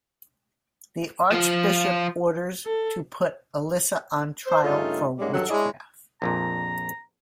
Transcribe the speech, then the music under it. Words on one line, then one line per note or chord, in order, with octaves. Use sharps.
The Archbishop orders to put Elisa on trial for witchcraft.
F3 F4
A4
C5
G2 C#3 A3 C#4 D#4 F4
G#2 G3 G#3 A#3 C#4
G2 D#3 F#3 A4 F#5
G#3 D4 E4 G#4 C#5 D#5
A#1 F2 A#2 A#5